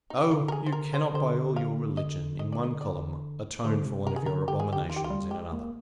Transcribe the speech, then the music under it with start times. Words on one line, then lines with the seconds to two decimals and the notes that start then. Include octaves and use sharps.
Oh! you cannot by all your religion, in one column, atone for one of your abominations in another!
0.10 D#4
0.22 G4
0.31 D3 F4
0.48 A#4
0.52 G#4
0.66 C5
0.73 A#4
0.94 C5
1.14 D3 C5
1.56 F5
1.97 D#5
2.39 D#5
2.52 D5
2.64 D#5
2.81 D5
3.64 D3 C5
3.85 C3
4.06 C3 A#4
4.16 G#4
4.23 D#3
4.26 D3 A#4
4.48 D3 G4
4.60 D#3 G#4
4.69 D3 G4
4.84 F3
4.89 D#3 F4
4.96 G4
5.04 F4
5.10 G3
5.31 G#3 G4
5.52 A#3